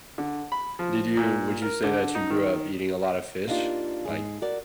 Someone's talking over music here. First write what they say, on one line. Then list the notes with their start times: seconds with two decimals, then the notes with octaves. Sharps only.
did you would you say that you grew up eating a lot of fish, like,
0.18 D3
0.52 B5
0.79 F3
1.17 A#2
1.62 A#4
1.84 D3
2.15 D#4
2.30 D#3
3.47 A#3 B3 D4 D#4 F4 G4
4.05 G#2 G#4
4.42 F#4 A#4 D5